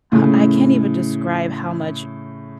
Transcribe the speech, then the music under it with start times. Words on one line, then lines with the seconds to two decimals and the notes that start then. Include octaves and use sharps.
I I can't even describe how much
0.12 A2 C#3